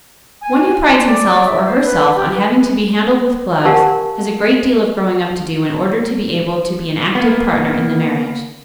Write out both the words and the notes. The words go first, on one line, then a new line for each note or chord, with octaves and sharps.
One who prides himself or herself on having to be handled with gloves has a great deal of growing up to do in order to be able to be an active partner in the marriage.
G#5
C6
D5
E5
C5
B4
G4
B4
G4 A#4 F5 F#5 G#5 A5
A#3 B3